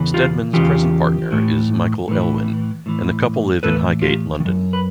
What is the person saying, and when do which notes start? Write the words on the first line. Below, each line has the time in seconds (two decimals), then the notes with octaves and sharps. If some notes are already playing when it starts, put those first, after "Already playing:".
Steadman's present partner is Michael Elwyn and the couple live in Highgate, London.
Already playing: E2 C#3 E3
0.14 F4 G4
0.53 E2 C#3 E3 F4 G4
1.31 A2 E3
2.08 A2 E3
2.86 A2 E3
3.63 A2 E3 A4 B4
4.02 F4 G4
4.40 D#3
4.45 F#2
4.73 B4